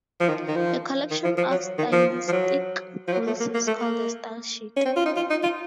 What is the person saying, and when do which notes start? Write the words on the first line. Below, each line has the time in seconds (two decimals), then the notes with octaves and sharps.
A collection of stylistic rules is called a style sheet.
0.21 F3
0.29 D#3
0.48 D#3
0.56 F3
1.11 D#3
1.24 F3
1.38 F3
1.51 F#3
1.78 D#3
1.92 F3
2.28 F3
2.32 F#3
3.08 F3
3.13 F#3
3.27 A3
3.40 A#3
3.54 A#3
3.68 A3
3.81 A#3
4.77 C#4
4.86 C4
4.96 F4
5.06 D#4
5.16 F4
5.30 D#4
5.43 F4